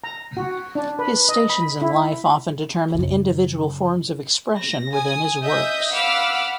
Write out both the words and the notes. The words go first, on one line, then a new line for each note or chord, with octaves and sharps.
His stations in life often determine individual forms of expression within his works.
A#5
F#4
D4
B4
D#5
B5
E4
F#2 C#3
A#6
G#5 D#6
D#5 E5 D#6 G6
F5 F#5 B5 D6 E6 F6